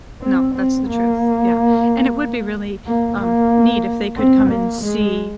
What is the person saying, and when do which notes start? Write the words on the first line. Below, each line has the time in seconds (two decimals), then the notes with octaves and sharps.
No, that's the truth, yeah, and it would be really, um, neat, if they could come and see
0.21 C4
0.54 C4
0.88 A#3
2.86 A#3
3.18 A#3
4.17 C4
4.50 A#3
4.82 G#3